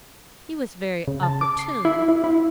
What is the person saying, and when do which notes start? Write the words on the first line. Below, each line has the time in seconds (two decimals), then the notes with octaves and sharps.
He was very opportune.
1.08 C#3
1.23 A5
1.41 D6
1.59 C7
1.85 E4
2.08 E4
2.24 E4